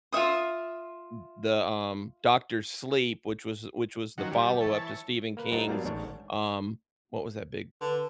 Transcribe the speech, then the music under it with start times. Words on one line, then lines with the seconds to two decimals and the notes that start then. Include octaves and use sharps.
th the, um Doctor Sleep, which was which was the follow-up to Stephen King's, um what was that big
0.13 F4 C#5 E5 D#6
4.18 D#3 F3 F#3 C#4 F#4
4.31 G2 G3
4.60 E3 C#5 A5
5.37 A#3 B4
5.52 G2 D#4 F4 C5 F#5 A#5
5.68 F#3 G3 A#3 B3 D4 F5
5.85 A1 G#2 D4 C#5
7.81 D3 B4